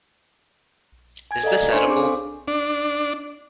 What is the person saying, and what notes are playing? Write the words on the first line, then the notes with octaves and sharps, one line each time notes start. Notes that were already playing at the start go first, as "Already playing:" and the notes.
Is this edible?
G#5 G#6
A4 D5 D#5 F5 A#5
D4 C5 G#5 C6 C#6 C#7
C4 D4 G4 G#4 D6
A4 F5
D4